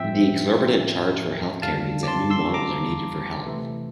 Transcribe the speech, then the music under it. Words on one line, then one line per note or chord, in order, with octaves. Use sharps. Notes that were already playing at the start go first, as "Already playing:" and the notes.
The exorbitant charge for healthcare means new models are needed for health.
Already playing: A2 F3 C4 E5 G5
F2 D3 G3 D4 F5 A5
D6
A5 C6
C6 E6
A#5 D6
C3 E3 A3